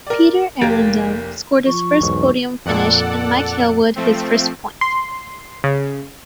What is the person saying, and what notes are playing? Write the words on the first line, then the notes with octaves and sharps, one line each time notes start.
Peter Arundell scored his first podium finish, and Mike Hailwood his first point.
A#4 D5
F1 A#3 G4 G#6 A6 D7
F3 C#6
B1 E2 G#2
F2 A#2 A4 D5 F#5
F3 A3 C4
C6
C#3